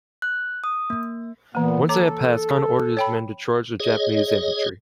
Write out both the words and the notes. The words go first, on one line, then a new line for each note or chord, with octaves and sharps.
Once they had passed Khan ordered his men to charge the Japanese infantry.
F#6
D#6
A#3
A#2 E3 A#3 B3
A4 C#5 A#5 D6
C#5 G5 B5
G#4 C#5 D#5